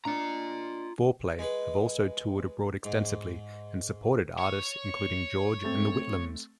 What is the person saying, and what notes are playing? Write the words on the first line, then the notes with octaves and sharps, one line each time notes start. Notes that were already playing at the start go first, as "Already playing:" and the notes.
FourPlay have also toured abroad extensively, and supported artists including george and The Whitlams.
D4 F4 D#5 A#5
G#3 B4
G#2
C#5
A3 C4 A6